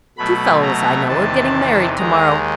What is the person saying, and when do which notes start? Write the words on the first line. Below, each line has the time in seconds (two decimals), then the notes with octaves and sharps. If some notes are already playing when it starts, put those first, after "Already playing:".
Two fellows I know are getting married to-morrow.
0.17 B2 F#3 A3 B5
0.62 A#5
1.08 E2 C3 D#3 A5
1.98 D#2 D#3 G#3 A#5